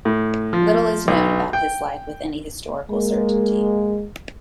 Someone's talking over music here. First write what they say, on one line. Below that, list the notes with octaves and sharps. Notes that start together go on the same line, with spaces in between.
Little is known about his life with any historical certainty.
A2
F3
B1
G5
G#3 A#3